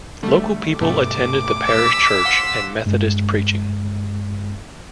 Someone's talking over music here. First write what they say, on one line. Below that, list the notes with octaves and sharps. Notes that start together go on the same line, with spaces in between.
Local people attended the parish church and Methodist preaching.
D3 G3 A3
G2 B2 A3 D6
E6 B6
F5 F#5 C6
G2 G#3